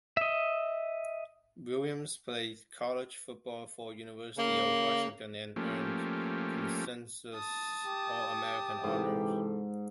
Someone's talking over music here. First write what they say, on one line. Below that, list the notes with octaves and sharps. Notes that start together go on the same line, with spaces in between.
Williams played college football for the University of Washington, and earned consensus All-American honors.
D#5 E5
C#3 A#3
F3 A3 A#3 C#4 G4
A5 D#6
G4
G#2 C3 E3 A4